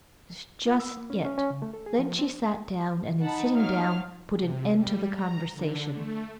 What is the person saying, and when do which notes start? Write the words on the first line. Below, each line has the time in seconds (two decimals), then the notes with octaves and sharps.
"That is just it." Then she sat down, and in sitting down put an end to the conversation.
0.66 F4
0.80 E6
0.97 A#3
1.10 C#4
1.25 C#4
1.38 C#4
1.50 C#3
1.62 A3
1.73 A4
1.86 G#4
1.99 F3
2.19 C4
3.21 D#4 F#5 A5 B5
3.54 F#3 F5 F6
4.39 C3
4.74 G3
5.13 A#5
5.53 D3
5.92 A3